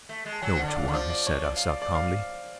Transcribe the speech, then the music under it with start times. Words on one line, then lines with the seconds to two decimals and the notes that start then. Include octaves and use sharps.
"No, Tuan," said Arsat, calmly.
0.09 A3
0.26 G#3
0.33 A5
0.42 F#3 G#5
0.53 F3
0.59 D3 F#5
0.68 D5
0.76 C#3 F5
0.88 D3
0.93 F3 D5
1.10 D5
1.27 C#5
1.44 D5
1.56 F5
1.69 D5
1.82 D5
1.95 F5